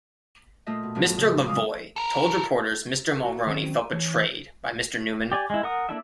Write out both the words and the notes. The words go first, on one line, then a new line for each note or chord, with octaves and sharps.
Mr. Lavoie told reporters Mr. Mulroney felt betrayed by Mr. Newman.
A#2 A3 F4 C5 D#5 E5
B2
A2 F3 F#3 B3
C#3 F#3 E4 F4 C#5
F2 G#3 F5 D6 D#6
A4 A#4
A3 F#4
D#3 F#3 C4 C#4
E3 C#5
G4 D5 G#5
G#3 E4
A#4 F#5 D#6
A#3 D4 E4 A4 E5